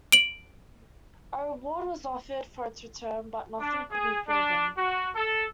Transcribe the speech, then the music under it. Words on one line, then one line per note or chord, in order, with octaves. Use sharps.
A reward was offered for its return but nothing could be proven.
D7 F#7
D4
G#4
D4
F#4
A4